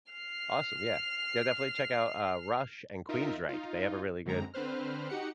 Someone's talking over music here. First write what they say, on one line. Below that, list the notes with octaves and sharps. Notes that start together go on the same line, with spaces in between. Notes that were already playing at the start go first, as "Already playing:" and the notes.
Awesome. Yeah. Yeah, definitely check out, uh, Rush and Queensrÿche, they have a really good
F6 C7
D#4 F4 A#4 D#5 E5
D#4 F4
F#2 D3 G#3 C4 A#5
D3 C4 B4 C5 F6
D#4 F#4 G4 F#5 C#7